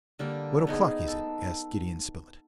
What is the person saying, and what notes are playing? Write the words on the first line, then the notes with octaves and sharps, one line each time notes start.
"What o'clock is it?" asked Gideon Spilett.
D3 G3 A#3
B3 D#4 G#4
A4